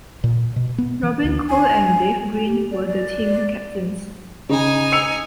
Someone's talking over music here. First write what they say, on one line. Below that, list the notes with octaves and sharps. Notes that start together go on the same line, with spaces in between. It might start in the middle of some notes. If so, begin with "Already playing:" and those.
Robin Cole and Dave Green were the team captains.
A#2
B2
B3
E3
D2
G#5
G4
D5
D5
C#3 D#4 G#5
E6 C#7 F7